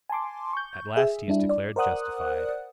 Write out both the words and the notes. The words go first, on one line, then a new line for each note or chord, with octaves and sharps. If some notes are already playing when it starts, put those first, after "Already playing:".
At last he is declared justified.
G#5 A5 C6 D6
C#6 G6
G#4 E5
G3 D4 E4
D5
A#4 C5 D5 F#5 D#6 F#6